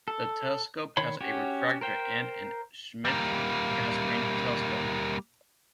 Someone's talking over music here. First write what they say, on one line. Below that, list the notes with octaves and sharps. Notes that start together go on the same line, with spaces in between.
The telescope has a refractor and an Schmidt-Cassegrain telescope.
A4
D#3 C#5 B5 C6
C#4 F#4 G4 C#5
A#4 C5 G5
G3 A#3